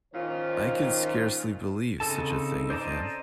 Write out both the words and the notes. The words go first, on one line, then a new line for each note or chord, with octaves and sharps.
I could scarcely believe such a thing of him.
A#2 D#3 C#4 F4 C5
C#3 C4 D#4 A4 A5
C5 D5 D#5 A5 A#5